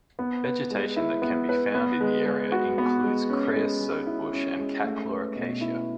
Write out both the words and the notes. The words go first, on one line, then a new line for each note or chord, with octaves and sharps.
Vegetation that can be found in the area includes creosote bush and catclaw acacia.
B3
B4
G#3
E4
B3
B4
B3
G#3
G#3
F#4
B3
G#3
C#4
G#3
G#3
E4
C#4
G#3
A3
B4
B2
E4